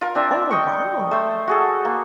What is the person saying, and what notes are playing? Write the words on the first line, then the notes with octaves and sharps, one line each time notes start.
Oh, wow.
F4 A#4
C4 D4 E5
D#5 G5 C#6
A3 C5
F#4 G#4 A4
A#3